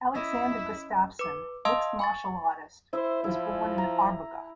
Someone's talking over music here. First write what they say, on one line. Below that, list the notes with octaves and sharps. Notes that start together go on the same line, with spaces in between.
Alexander Gustafsson, mixed martial artist, was born in Arboga.
C#4 E4 D#5 E5
B4 D6
D#5 F5 A5 C6 D#6 E6
G#5 C#6 A6
E4 C5 E5
F3 E4
A#5